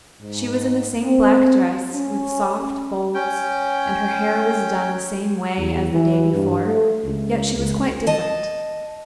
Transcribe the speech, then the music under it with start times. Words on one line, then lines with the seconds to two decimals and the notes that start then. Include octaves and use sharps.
She was in the same black dress with soft folds and her hair was done the same way as the day before, yet she was quite different.
0.21 G#2
1.04 C4
1.94 C#4
3.15 C#4 G5
5.57 E2
5.92 E3
6.33 G2
6.66 A3
7.05 C#2
7.57 C#2
8.07 D#5 A5